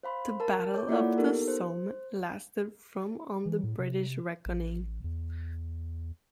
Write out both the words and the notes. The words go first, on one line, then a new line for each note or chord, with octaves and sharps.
The Battle of the Somme lasted from on the British reckoning.
C5 F5 B5 C6
A#4 A5
C#5 D6 G6
A#3 E4 F4 A4 D5 F#5
B3 D#4 G4 A4 A#4
C5
E3
A2
C3
A1
E2